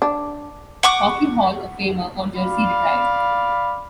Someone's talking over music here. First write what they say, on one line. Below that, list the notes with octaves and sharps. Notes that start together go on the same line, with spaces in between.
Hockey Hall of Famer or jersey retired.
D4
F#5 C#6 D6
D5 F5 B5